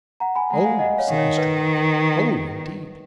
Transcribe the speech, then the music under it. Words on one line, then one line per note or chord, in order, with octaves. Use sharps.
'Oh!' said Mr Boffin. 'Oh indeed!
F#5 A#5
G#5 B5
G#3 F#5 A#5
F5 G#5
D#5 F#5
C#5 F5
D#3
C#5
B4